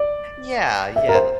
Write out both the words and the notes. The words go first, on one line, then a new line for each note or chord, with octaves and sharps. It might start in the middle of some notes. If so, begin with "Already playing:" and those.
Yeah, yeah.
Already playing: D5
E5
A#4
C5